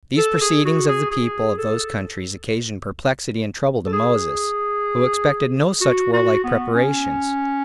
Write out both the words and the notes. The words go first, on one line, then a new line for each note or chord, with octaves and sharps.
These proceedings of the people of those countries occasioned perplexity and trouble to Moses, who expected no such warlike preparations.
A4
G#4
F#4
G#4
G#4
A4
A4
G#4
F#4
F#4
B3
C#4